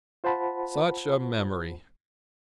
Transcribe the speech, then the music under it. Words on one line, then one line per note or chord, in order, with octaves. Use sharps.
Such a memory!
F4 C5 F#5 A5 B5